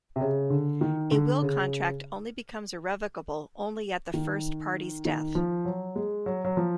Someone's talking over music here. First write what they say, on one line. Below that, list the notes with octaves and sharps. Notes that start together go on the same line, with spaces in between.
A will contract only becomes irrevocable only at the first party's death.
C3
C#3
D3
D#3
D3
C#3
D#3
D#3
F3
F#3
G#3
F#3
F#3
F3